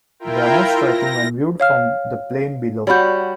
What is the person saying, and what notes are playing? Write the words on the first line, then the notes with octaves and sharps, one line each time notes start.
They are most striking when viewed from the plain below.
E4 F4 A#4 G5
A#6
C#5 F5 F6
G3 F#4 C#5 B5 G6